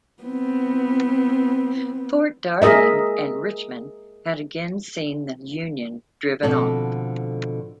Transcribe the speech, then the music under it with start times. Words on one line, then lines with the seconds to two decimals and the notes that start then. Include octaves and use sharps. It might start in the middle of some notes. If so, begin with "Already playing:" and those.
Fort Darling and Richmond had again seen the Union driven off.
0.23 B3 C4
2.62 G#4 A#4 D#5 E5
6.43 B2 D3 F3 C4 A4